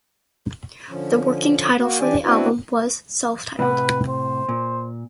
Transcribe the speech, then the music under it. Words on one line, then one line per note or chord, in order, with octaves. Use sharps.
The working title for the album was self-titled.
D3 F3 C#4
A#3 F#4
E3 D4 G4 D5 G#5
B3 C4 D4 E4 F#4 B4
A2 C3 B4 F#5
C5
A#2